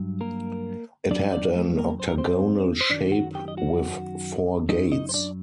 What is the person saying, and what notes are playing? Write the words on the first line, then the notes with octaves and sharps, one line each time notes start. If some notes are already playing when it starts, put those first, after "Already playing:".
It had an octagonal shape with four gates.
Already playing: G2 F#3
A#3 A#4
F#2 F#3 D4 D5
D4 D5
A3 A4
A#3 A#4
C5
A#4
C4 C5
C5
F#2 D#3 F#3 D4 D5
F#4 F#5
G4 G5
D#5
F#4 F#5
F#2 F#3 D#4 D#5
D#4 D#5
C5
D4 D5